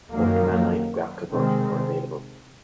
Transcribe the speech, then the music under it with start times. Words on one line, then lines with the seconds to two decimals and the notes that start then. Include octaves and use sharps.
Both command line and graphical versions were available.
0.11 F#2 D#3 F#3 A#3
1.30 C3 D#3 G#3 C4